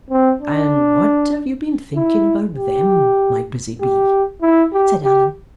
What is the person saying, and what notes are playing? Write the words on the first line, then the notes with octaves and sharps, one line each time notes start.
"And what have you been thinking about THEM, my busy bee?" said Allan.
C4
D4
E4
G4
G4
E4
G4
G4